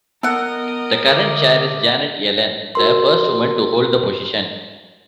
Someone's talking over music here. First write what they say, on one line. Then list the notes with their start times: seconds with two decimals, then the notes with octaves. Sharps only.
The current chair is Janet Yellen, the first woman to hold the position.
0.23 B3 A4 A#4 D#5 F#5
1.12 D3 E5 D6
2.75 F#4 A#4 C6